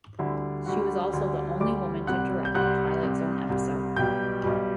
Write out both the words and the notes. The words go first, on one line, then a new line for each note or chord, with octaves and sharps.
She was also the only woman to direct a "Twilight Zone" episode.
D2 D3 G3 E4 E5
D2 D3 G3 F#4 F#5
D2 D3 G3
D2 D3 G3 D5 D6
C2 C3 G3 F#5 F#6
G6
C2 C3 G3 F#5 F#6
C2 C3 G3
C2 C3 G3
B1 B2 G3 G5 G6
B1 B2 G3